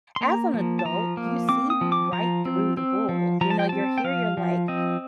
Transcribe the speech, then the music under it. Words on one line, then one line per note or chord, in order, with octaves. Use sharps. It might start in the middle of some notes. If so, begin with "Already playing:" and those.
As an adult, you see right through the bull, you know, you're here, you're, like,
C6
A#3 A#5
F3
A5
F3 A#5
A#3
C4 D6
D#6
F3
D6
F3 A#5
C4
C4
F3
F3 A#5
A5
G5
C4 A5
G5
F3 F5
F3
C4 D#5